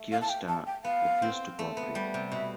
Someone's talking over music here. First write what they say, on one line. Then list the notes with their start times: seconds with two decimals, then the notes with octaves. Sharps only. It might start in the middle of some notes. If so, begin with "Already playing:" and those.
Cuesta refused to co-operate.
Already playing: A3
0.12 F5
0.21 A5
0.29 G5
0.48 A5
0.67 G5
0.84 B3 F5
1.22 C4
1.59 A3
1.77 B3
1.95 G3
2.14 C3
2.32 B2 E5